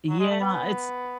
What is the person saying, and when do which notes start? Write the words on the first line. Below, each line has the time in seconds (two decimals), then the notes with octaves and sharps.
Yeah, it's
0.10 F#3
0.19 G#3
0.30 A3
0.40 B3